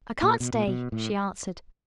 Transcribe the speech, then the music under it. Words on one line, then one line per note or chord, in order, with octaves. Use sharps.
"I can't stay," she answered.
A#2
B2
A#2
B2
A2